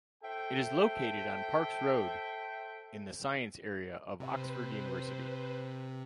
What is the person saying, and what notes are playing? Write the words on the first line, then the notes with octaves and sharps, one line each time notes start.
It is located on Parks Road in the Science Area of Oxford University.
A4 C5 E5 G5
C3 B4 C5